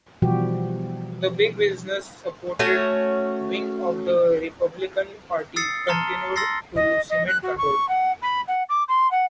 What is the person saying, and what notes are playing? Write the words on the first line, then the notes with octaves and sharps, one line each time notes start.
The big business-supported wing of the Republican Party continued to cement control.
B2 E3 F3 G3 F#4 G4
A3 C#4 F#4 C#5
D#6 E6 A6 C7 C#7
A5 A#5 C6 F6 C#7 G7
C6 E6 A6 A#6 C7
D#5
D#5
F#6
F#4
C#6
F#5
B5
F#5
D6
C6
F#5